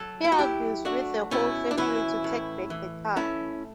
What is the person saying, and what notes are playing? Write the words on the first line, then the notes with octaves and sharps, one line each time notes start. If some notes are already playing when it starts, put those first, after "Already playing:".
He argues with the whole family to take back the car.
Already playing: F#3 A4
E4
F#4
F#3 E4 G4
A3 D4 F#4
B2 C#4 E4
D4
E3 C#4 E4
A2
E3
A3 C#4 E4